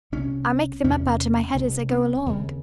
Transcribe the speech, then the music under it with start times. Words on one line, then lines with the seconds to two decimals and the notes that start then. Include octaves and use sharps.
"I make them up out of my head as I go along."
0.12 C2 C3 C#4
0.84 E2 C3 C#4
1.55 C2 C3
1.90 C4
2.26 D#2 C#3